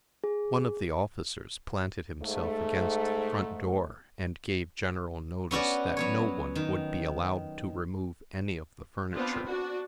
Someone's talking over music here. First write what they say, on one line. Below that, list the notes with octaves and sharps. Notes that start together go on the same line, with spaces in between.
One of the officers planted himself against the front door, and gave general notice that no one would be allowed to remove any of the furniture.
G#4
G#2 A3
B3 C#4 F#4 D5
F#3 B3 C#5
D#3
B3 C4 D4 F4
D4 F#4